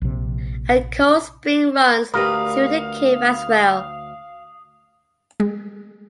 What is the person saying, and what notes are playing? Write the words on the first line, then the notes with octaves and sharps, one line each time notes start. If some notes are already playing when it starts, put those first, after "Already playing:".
A cold spring runs through the cave as well.
A#1 C3
D2 G4 A#4 B4 F5 D#6
G#3